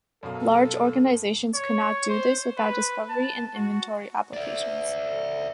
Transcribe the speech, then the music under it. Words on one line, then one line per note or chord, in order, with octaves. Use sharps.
Large organisations could not do this without discovery and inventory applications.
F#2 B2 A4 F5
C#5
C5
B4
A5
F#4
D5 E5